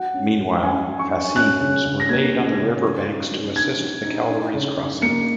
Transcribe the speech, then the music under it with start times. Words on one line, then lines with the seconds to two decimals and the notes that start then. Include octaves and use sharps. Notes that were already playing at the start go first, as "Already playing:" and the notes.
Meanwhile, fascines were laid on the river banks to assist the cavalry's crossing.
Already playing: F#3 F#5
0.14 C#4
0.39 F#3
0.63 C#4 G#5
0.87 F#3
0.99 C#6
1.12 C#4
1.36 C#4 F#6
1.61 C#3
1.85 C#3
2.00 A#6
2.09 A#3 G#6
2.34 C#4
2.58 C#3
2.83 F#3
3.07 D#4
3.31 F#3
3.56 D#4 G#6
3.80 F#3
4.05 D#4
4.29 D#4
4.54 C#3
4.78 C#3
5.02 A#3 C#7